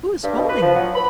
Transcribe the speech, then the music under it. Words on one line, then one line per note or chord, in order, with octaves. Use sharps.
Who is holding me?'
G2
B2
B4
F3
F#3
B5